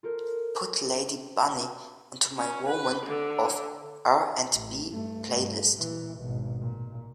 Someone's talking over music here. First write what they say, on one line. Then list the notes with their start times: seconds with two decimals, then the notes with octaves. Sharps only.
Put lady bunny onto my Women of R&B playlist.
0.03 F4 A4 A#4 C5
2.38 C#4
2.68 B4
3.06 D3
4.52 A1
4.92 G2 A3
5.30 G2
5.75 A#2 E3
6.18 G#1 B2
6.60 A#2